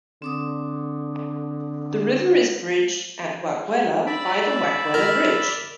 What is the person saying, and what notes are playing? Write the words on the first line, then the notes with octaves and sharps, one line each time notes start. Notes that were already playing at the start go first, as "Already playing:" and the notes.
The river is bridged at Wakwella by the Wakwella Bridge.
D3 C4 D6 D#6
D5 E5 B5
A#4